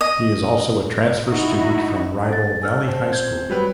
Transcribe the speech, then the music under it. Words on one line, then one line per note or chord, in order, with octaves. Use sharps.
He is also a transfer student from rival Valley High School.
D#5
D#4 E4 F#4
A4 A6
G#5 E6 F6
C4 A5
G6 G#6
F#3 G3 B4